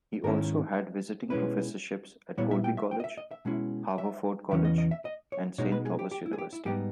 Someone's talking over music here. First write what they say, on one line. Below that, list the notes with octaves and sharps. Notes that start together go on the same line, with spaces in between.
He also had visiting professorships at Colby College, Haverford College and St. Thomas University.
G#2 D#3 A#3 C#4 E4 A#4
B2 G#3 C#4 E4 B4
A#2 G3 B3 E4 C#5
E5
G5
E5
G5
D#5
E5
D#5
E5
B2 G#3 C#4 E4
E5
E2 C#3 E3 C#4 E5
D#5
D#5
E5
D#5
C#5
B2 G#3 D#4 C#5
B4
G#4
G4
G4
E4
G#4
G4
E4
G#2 G3 B3 D#4 G4